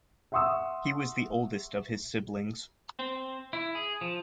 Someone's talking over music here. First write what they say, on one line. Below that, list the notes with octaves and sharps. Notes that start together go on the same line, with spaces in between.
He was the oldest of his siblings.
E5 F#5 C6 C#6 D#6 E6
C4
E4
G#4
F3